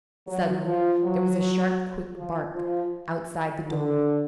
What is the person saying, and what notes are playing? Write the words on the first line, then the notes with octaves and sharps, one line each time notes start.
Suddenly there was a sharp, quick bark outside the door.
F#3
F3
F#3
F3
F3
D3